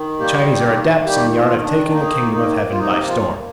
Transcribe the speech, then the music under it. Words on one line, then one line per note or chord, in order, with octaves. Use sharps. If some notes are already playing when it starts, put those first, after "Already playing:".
The Chinese are adepts in the art of taking the kingdom of heaven by storm.
Already playing: D#3
G3 A#3 G4
D#3
D#3 G3 G4
F3 F4
D#3
D4
D4
A#3 D#4
A#3
F4
C3 D#4
F3 F4
A#3